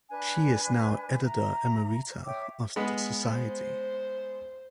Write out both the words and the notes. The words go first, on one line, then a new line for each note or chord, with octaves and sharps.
She is now Editor Emerita of the Society.
D4 B4 G#5 F#6
E5 A#5
C#5 E5 G5 D6
G#3 B3 B5
C5